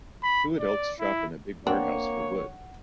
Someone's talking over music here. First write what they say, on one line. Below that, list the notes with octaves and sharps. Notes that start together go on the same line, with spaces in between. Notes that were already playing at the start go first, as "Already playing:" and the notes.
Two adults shop in a big warehouse for wood.
B5
D5
E4
A#3 C4 D4 C#5 F#5